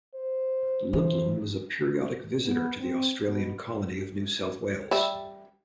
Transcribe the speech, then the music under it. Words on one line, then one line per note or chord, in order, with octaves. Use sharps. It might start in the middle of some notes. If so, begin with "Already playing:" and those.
Ludlam was a periodic visitor to the Australian colony of New South Wales.
C5
E3 C5
B3
C4
B2
G3 E5